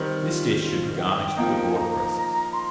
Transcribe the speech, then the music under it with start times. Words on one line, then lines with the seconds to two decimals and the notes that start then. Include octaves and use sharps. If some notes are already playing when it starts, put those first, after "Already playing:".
This dish should be garnished with water-cresses.
Already playing: D#3 G3 C4
0.19 G4
0.23 F4
0.58 F4
0.97 G5
1.36 F3 A#3 D#4
1.75 A#5
2.53 C6